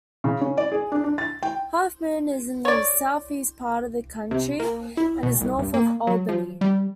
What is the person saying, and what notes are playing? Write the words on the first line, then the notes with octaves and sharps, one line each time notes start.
Halfmoon is in the southeast part of the county and is north of Albany.
C#3
C#4
D5
G#4
D4
D4
A6
G5
C#5 D5
C3
A#3
E4
B2
C2
G2
A#3
F#3
F3
G3